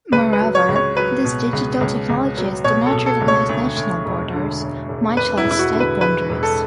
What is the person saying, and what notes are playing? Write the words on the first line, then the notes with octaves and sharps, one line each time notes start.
Moreover, these digital technologies do not recognize national borders, much less state boundaries.
C#2 B4
B4
F#3
C#5
C#2
C#5
F#3 B4
B2
C#2
C#2
C#2
F#3
B2 C#5
A4
B2
A4
C#2
C#5
D2
D2
E1
D3
E1
E1
E1 B4
E4
E1
E4
F#4
D3
B4
E1 B4
E1
A4